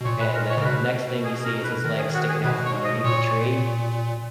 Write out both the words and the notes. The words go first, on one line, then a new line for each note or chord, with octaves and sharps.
and then next thing you see is his legs sticking out from underneath the tree,
B2
A#2 C#5
B4
A#4
C#5
C#3
A#4
B2 B4
G#4
A#4
B4
D#3 A#4
G#4
F#4
G#4
B2 B4
C#5
D#5
A#2 C#5